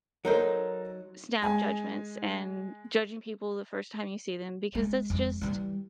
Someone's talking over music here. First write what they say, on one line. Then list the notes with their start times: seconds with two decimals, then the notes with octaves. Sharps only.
snap judgments, and judging people the first time you see them, because that's just
0.25 F#3 D#4 A4 A#4 C5
1.42 G#3 G#5
4.75 G#3
5.10 F2 G#3
5.41 E3 G3